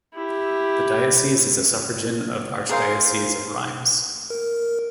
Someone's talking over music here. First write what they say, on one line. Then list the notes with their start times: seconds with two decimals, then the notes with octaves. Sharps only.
The diocese is a suffragan of the Archdiocese of Reims.
0.14 E4 G4
2.69 G#4 A#4 C5 F5
4.30 A#4